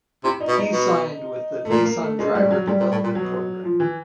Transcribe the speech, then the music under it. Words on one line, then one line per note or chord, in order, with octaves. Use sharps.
He signed with the Nissan Driver Development Program.
C3 E4
D#4
B2
D#4
B2
A3
A#2 A#3
A#3
A3
B2 G#3
G3
A2
F#3
G#2 G3
A#2
A2
A#2
B2 F#3
F3
E3